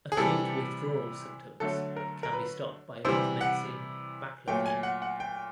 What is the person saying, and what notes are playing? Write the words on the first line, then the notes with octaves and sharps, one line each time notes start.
Acute withdrawal symptoms can be stopped by recommencing baclofen.
G#4
C3 E3 G3 A4
D3 F#3 A3 A4
A#4
A#4
B4
C3 E3 G3 C5
F#5
A#2 F#3 A3 G5
G#5
F#5
F#5
G5